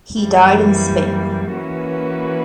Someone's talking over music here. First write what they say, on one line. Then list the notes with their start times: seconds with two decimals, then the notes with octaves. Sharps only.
He died in Spain.
0.21 F#2 E3 G3 A#3
1.54 E3 A#3 C#4 F#4 B4